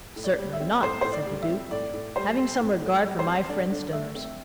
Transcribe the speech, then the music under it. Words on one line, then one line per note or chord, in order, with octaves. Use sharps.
"Certainly not," said the Duke, "having some regard for my friends' dinners."
A2
D5
G3
E5
C4
A2 C5
A2 C5
D5
G3
E5
C4
A2 D5
A2
G3 C5
C4
A2
A2
G3
C5
C4
D3 D5
D3
A3 E5
C4